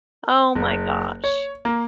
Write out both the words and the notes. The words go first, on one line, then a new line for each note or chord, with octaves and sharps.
Oh my gosh.
F#1
C#5
A#3